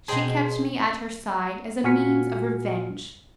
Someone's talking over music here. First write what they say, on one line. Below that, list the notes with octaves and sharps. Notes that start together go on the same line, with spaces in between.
She kept me at her side as a means of revenge.
B2 G#4 C5 D#5 G5 A5
A#2 F#4 G#5 F6 B6 C#7